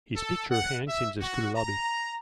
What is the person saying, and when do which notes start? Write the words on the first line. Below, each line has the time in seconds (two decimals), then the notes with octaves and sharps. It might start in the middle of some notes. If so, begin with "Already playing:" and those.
His picture hangs in the school lobby.
0.16 A4
0.50 F#5
0.88 E5
1.21 F#4
1.55 A#5